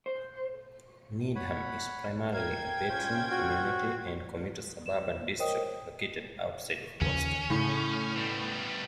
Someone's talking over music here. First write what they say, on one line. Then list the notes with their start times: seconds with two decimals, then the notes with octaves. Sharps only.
Needham is primarily a bedroom community and commuter suburban district located outside of Boston.
0.06 C5
1.36 C#5 F#5 B5
2.32 A#4 F5 G5 G#6
2.89 C#4 F4 C5
3.31 F#4
4.86 E7
5.39 A#4 C5 C#5 D#5 G5 D#6
7.01 D#2 C#3 F3 C#4
7.50 A2 C#3
8.16 B2 G3